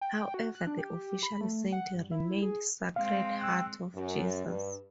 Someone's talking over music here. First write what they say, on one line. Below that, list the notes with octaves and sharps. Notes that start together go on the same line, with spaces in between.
However the official saint remained "Sacred Heart of Jesus".
G5
G5
F#4
F#6
D4
G4
B5
A3
F#5
G2
E4
G#4
G#3 C4 F5
G5 E6 F#6
F#2
G2